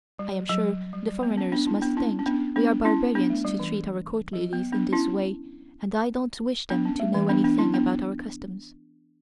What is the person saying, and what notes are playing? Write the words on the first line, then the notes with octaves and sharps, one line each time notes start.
I am sure the foreigners must think we are barbarians to treat our Court ladies in this way and I don't wish them to know anything about our customs.
G3
F#3
G3
G3
B3
C#4
B3 D4
C#4 E4
B3 D4
C#4 E4
C#4
B3 D4
B3 D4
C#4 E4
B3 D4
A3
G3
E3
F#3
B3
B3 D4
C#4 E4
B3 D4
C#4
A3
E3
B3 D4
B3 D4
C#4 E4
B3 D4